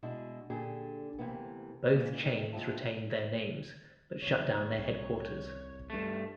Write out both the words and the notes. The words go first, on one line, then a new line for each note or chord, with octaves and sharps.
Both chains retained their names, but shut down their headquarters.
B2 G#3 D4 E4
A#2 D3 D4 G4 G#4
D2 C3 E3 A#3 B3
A#2 E3 G#3
E2 G#2 C3 D#3
D#2 C3 F3 E4 F4 A5
D#2 C#3 C#5
C2
G2 A3